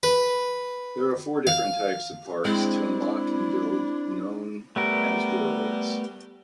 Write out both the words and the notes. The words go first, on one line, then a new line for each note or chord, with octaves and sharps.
There are four different types of parks to unlock and build, known as worlds.
B4
F5
G#3 C4 D4 E4
G3 A3 B3 A#4